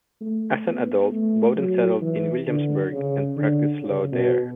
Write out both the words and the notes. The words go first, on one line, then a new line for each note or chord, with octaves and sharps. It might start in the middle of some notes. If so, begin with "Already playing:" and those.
As an adult, Bowden settled in Williamsburg and practiced law there.
A3
B3
A3
F#3
E3
D3
C#3
D3
C#3
B2